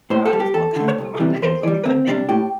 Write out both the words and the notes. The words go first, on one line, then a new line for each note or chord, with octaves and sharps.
"Girl, I just woke up and my day is good."
A2 C5
A4
G3
G4
E2 A4
D3 A3
C2
C3 E3 G3
E2 C5
E3 G3 D5
D2 C4
C3 G3 D4
A2 G4